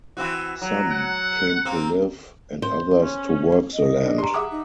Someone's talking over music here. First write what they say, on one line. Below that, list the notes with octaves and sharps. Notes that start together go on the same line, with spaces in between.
Some came to live and others to work the land.
E3 C4 F#4
F#3
F#5
A#3 C4
C5
C#4
D#5
D4
G4 A#5 C6
G#4 E5 F#5 D6 D#6
D#4